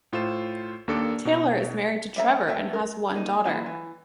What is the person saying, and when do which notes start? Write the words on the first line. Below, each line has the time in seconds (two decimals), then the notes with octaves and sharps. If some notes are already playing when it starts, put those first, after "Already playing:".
Taylor is married to Trevor and has one daughter.
0.13 A2 F4 A4 C5 E7
0.88 D#2 A#3 D4 A4 D6 C#7
1.25 B2
2.16 G3 E5 A#5
2.48 A3 B3 E5 G5
2.73 A#4
3.15 A#3 D#4
3.45 E3 F#3 A#3 F4
3.66 E3